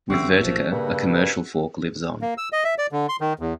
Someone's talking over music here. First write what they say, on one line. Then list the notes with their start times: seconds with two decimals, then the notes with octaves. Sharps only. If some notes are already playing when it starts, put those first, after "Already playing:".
With Vertica a commercial fork lives on.
0.10 F#2 D3 G3 C4 F#4 E5
0.41 B1 A#2 F3
0.72 G2 C#3 A#3
2.22 A#3
2.38 E6
2.53 D#5
2.64 E5
2.78 D5
2.92 D3
3.09 C6
3.21 D#3
3.39 E2